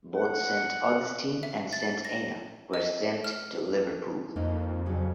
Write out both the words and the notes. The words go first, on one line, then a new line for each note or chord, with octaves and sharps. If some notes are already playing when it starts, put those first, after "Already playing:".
Both "St Augustine" and "St Anna" were sent into Liverpool.
F#5
E5
A6
A#6
D#5
F6
F2 A#3 D#4
E2 C#3 F#3